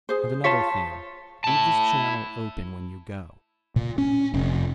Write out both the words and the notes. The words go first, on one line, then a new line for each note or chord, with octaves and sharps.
And another thing, leave this channel open when you go.
G#4 C5
F4 C#5 F5 A5 C6 B6
E4 A5
A#2
C#4
F1